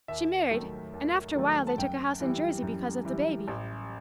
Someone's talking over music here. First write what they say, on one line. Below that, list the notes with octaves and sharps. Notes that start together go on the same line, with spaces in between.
She married, and after a while they took a house in Jersey because of the baby.
D#2 E5
D#3 F#3 A3
D#2
D#3 F#3 A3
A5
F#2 G5
E3 G3
F#2
E3 G3
A1